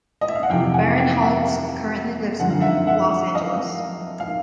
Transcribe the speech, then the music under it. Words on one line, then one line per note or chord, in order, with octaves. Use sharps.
Barinholtz currently lives in Los Angeles.
D#5
E5
F5
F#5
F2 C3 E3 F5 G5
F#5 G#5
F5 G5
E5 F#5
F#2 D3 F3 F#5
F5
E5 F#5
E5 F#5
D#5 F5
F5